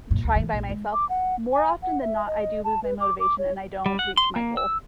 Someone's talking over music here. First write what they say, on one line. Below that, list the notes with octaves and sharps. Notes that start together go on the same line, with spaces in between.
trying by myself, more often than not, I do lose my motivation, and I don't reach my goal.
F#2 A#2
D2 C#3
D3 E3
A#1
G#3
D6
F#5
G#5
F#5
E5
D#5
A5
B4
D6
D6
C#5
G3
F#5
C6
A#3
E6